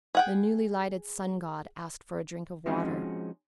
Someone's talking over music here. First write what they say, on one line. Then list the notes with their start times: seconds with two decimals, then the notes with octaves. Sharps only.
The newly lighted sun-god asked for a drink of water.
0.15 G#4 F#5 G5
2.66 F3 G#3 C4 C#4 D#4 F#4